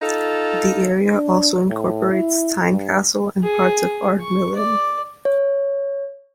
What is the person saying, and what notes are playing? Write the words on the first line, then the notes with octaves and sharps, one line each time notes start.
The area also incorporates Tynecastle and parts of Ardmillan.
D#4 F4 A4
D4
A2
E4
G2
G#4
C#6
D5
C#5